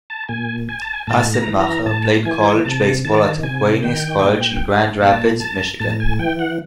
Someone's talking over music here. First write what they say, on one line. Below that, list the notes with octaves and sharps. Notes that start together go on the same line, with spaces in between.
Assenmacher played college baseball at Aquinas College in Grand Rapids, Michigan.
A5
A#2 G#5
G#5
A5
G#5
A2 A5
A#5
E3
A#5
A2 A5
E3 G#5
C3 A5
D#3 A5
C3 G#5
D#3 G5
A#2
A#2 A5
A5
A2 A5
G#5
E3 G5
F#5